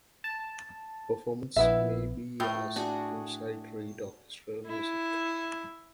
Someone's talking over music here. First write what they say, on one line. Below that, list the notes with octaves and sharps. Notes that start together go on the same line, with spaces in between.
Performers may be asked to sight read orchestral music.
A5
A#1 B3 E4 E5
A2 F4 G5 B5
D4 F#4 G#4
E4